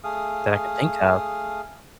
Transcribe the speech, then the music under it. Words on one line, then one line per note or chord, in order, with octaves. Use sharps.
that I can think of.
A3 G#4 F5 D#6